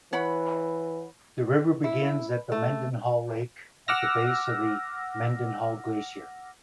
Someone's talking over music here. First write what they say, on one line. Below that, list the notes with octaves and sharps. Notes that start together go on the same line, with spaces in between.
The river begins at the Mendenhall Lake, at the base of the Mendenhall Glacier.
E3 C#5 F#5 B5
E4
A3
F#5 D6 E6 F6 A#6